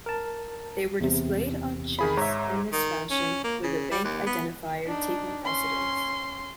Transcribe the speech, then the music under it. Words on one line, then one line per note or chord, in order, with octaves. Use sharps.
They were displayed on cheques in this fashion, with the bank identifier taking precedence.
A#4 A5
E2 C3
D#3 G#4 B5
G#2 C#5 E5 A#5
D#3
C#4
A#3
C#3
G3
D#2
B3
D4 D#4
C#4 C6